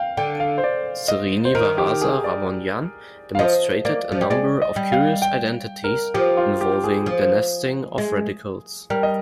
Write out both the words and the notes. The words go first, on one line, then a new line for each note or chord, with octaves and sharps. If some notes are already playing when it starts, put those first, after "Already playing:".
Srinivasa Ramanujan demonstrated a number of curious identities involving denesting of radicals.
Already playing: F5 G5
D3 G5
F5
C5
D5
D#5
C5
D#3 A#4
G4
G#4
D5
F5
F3 D#5
A#3 D5
F3
G3
G#3 D5
D#5
G3
F5
G5
A#4
F3 G4
F4
G4
G#4
F3
G#3
G3 A#4
D#5